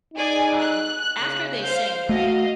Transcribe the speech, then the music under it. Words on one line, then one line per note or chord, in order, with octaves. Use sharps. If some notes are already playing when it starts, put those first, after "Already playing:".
um, after they sinned, right?
D#4 G#4 D5 G#5
F#6
C#3
C5 F5 G6
A3 F#4 D#5 F5